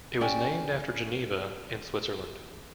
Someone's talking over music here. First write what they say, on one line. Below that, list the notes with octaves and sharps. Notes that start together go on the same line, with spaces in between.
It was named after Geneva, in Switzerland.
C#4 D5 G5 G#5